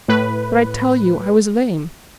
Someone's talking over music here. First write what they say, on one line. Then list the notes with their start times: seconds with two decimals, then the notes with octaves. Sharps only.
"But I tell you I was lame."
0.08 A2 B4